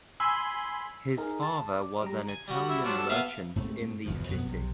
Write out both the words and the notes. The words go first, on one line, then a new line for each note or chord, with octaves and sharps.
His father was an Italian merchant in the city.
G#5 B5 C6 E6
D#4 G#4 A#4
A5
D5
G3 A#5
G#5
G3 F#4
E4 E5
F3 F#3 D4
A4
B3 E5 F5
G#2 A3 C4
G1 E2 B2 F3
F2 B2 B3
B1 C3